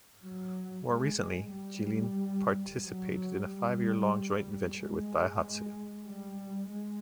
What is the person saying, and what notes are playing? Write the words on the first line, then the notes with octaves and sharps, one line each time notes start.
More recently, Jilin participated in a five-year-long joint venture with Daihatsu.
F#3
G#3
G#3
G3
F#3
G3
G#3
G3
G#3